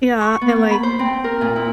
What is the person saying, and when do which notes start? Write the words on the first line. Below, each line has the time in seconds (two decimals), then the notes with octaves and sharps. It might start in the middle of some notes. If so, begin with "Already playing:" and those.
Yeah, and, like,
0.21 C#6
0.41 B3
0.56 A#3
0.71 B5
0.83 C5
0.99 C4
1.24 A#4
1.41 A#2
1.56 E4